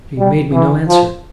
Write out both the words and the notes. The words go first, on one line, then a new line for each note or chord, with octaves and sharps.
She made me no answer.
G3
E3
F3